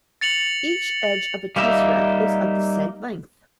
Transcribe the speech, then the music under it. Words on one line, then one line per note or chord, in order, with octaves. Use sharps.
Each edge of a tesseract is of the same length.
A6 C#7 F7 F#7
G3 A#3 D#4 E5